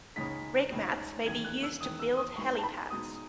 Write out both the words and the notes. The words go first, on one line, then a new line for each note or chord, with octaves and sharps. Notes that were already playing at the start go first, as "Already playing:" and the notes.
Rig mats may be used to build helipads.
C#2 C#3 G#3 D#4 B6
C#2 C#3 G#3 D#4
E2 D#3 G#3 G#6
F#6
E6
E2 D#3 G#3 D#6
E6
D#6
B2 G#3 D#4 C#6
A5
B5
B2 G#3 D#4 D#6